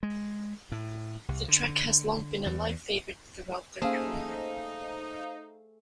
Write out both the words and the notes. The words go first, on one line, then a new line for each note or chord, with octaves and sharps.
The track has long been a live favourite throughout their career.
G#3
A2
C2
D3
E2
A3 A#3 C#4 D#4 G#4 C5 F5